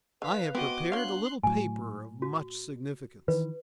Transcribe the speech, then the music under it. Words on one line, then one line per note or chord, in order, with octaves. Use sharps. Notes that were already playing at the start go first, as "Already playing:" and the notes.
I have prepared a little paper of much significance.
D3 B4 F5 B6
B3 C4 F#4 D#5 D6
D4 C#5 F5 C6 F#6
A2 F#3 G#5
F#4
D#3 E3 B4